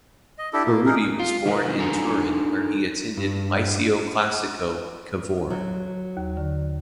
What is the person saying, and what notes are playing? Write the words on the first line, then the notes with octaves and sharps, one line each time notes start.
Berruti was born in Turin where he attended Liceo Classico "Cavour".
D#5
D4 E4 G4 A4
A#3
D#4 G#4 A#4
F4
D#3 G#3 A#3 A#4 B4
D4 D#4 F#4 A4 G#5 A#5
G2
F#3
D#2
D3